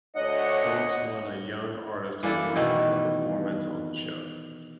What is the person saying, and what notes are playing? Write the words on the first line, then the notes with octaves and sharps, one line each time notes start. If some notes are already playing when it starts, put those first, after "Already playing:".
Combs won a Young Artist Award for her performance on the show.
D2 D4 C#5 D#5 F#5
E3 A#3 D4 A4
B2 D#3 E3 A3